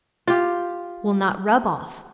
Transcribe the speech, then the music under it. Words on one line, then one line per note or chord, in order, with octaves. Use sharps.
Will not rub off.
F4 G4